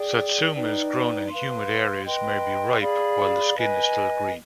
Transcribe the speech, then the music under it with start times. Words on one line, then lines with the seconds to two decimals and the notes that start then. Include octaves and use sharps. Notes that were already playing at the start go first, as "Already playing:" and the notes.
Satsumas grown in humid areas may be ripe while the skin is still green.
Already playing: G#4 D5 G5
0.54 D#4 B4 D5 G5
1.29 B4 F5 C6
2.05 B4 D#5 G5 C6
2.81 G#4 D5 F5 B5
3.56 B4 D#5 G#5